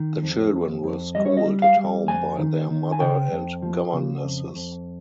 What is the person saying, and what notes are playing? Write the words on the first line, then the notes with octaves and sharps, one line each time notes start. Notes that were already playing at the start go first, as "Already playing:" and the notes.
The children were schooled at home by their mother and governesses.
Already playing: D#3
F2
F2
F2
G3 D#5
C#5
D#5
G3
F5
G3
F2 G#5
D#3
D#3
G#5
C#3 G5
F2
F3
C#3
F2
F2